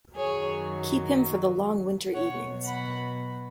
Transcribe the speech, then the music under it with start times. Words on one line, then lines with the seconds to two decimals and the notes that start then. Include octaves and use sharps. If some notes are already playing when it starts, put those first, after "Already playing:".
Keep him for the long winter evenings.
0.16 F#2 D#3 F#3 G#4 C#5
2.14 B2 F#3 C#5 F#5
2.63 F#5 B5